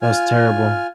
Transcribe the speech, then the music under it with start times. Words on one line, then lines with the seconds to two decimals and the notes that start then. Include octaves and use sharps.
it was terrible.
0.02 F4 G#5 F6